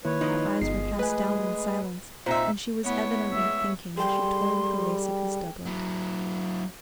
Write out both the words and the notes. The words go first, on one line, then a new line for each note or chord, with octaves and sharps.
Her eyes were cast down in silence, and she was evidently thinking as she toyed with the lace of his doublet.
D#3 A#3 E4 B4 C#5
F3 D#4
G1 G#3 B3 G#4 C7
A3 B4 G#5
A#2 C4 D#4 F4 C5 E5
A3 B3 E4 C#5
G#3 B3 E5
G3 G#4 A4 G5 C6
F#3 E4